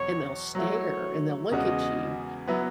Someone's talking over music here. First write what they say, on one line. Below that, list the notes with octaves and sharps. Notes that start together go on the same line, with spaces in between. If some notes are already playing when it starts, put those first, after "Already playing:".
and they'll stare, and they'll look at you.
Already playing: E2 B2 F#3 C#5
F#3 A3 E4 C#5
E2 C#3 G#3 C#4 F#4 D#5
F#3 B3 E4 B4